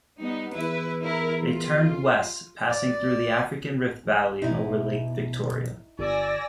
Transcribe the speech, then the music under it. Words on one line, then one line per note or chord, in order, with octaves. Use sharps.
They turned west, passing through the African Rift Valley and over Lake Victoria.
G3 B3 D#4
E2 E4 B4 E5
E4 A#4
F4
D5
B2 D#4 E4
G1 D5 G#5 E6 A#6